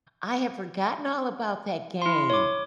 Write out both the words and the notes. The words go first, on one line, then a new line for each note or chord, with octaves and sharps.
I have forgotten all about that game.
E4 C6
C#5 D6